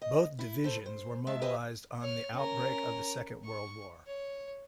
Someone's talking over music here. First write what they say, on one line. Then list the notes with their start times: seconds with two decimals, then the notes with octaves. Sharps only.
Both Divisions were mobilised on the outbreak of the Second World War.
0.02 D#5
0.39 E4
0.64 A4 C5
0.86 C5
1.27 G#3 E5 A5
1.42 G4 B4 C5 D#5 E5 G#5
2.00 C#5 F6
2.33 C#4 A#4
3.44 C#6
4.06 C#5